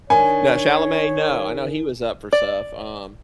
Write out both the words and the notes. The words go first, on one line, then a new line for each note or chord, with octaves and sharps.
No, Chalamet? No. I know he was up for stuff, um
D#3 D4 C#5 G#5
D5